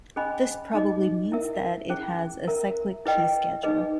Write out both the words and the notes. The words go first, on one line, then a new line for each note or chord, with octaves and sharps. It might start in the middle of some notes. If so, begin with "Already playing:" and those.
This probably means that it has a cyclic key schedule.
C#4 G#4 D#5 G#5 B5
D#4 G#4 D#5
E4 A#4 E5
C#4 E4 G#4
A#4 E5 A#5
E4 G#4 B4 D#5 G5
D#4 G#4 B4 D#5